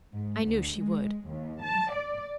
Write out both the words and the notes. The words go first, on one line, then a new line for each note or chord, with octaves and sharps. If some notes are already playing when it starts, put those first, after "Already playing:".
I knew she would.
G#2
D2
G#3
D#2
A5
D5